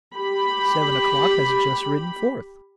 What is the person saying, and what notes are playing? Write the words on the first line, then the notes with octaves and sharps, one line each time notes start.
Seven O'clock has just ridden forth.
G4 B5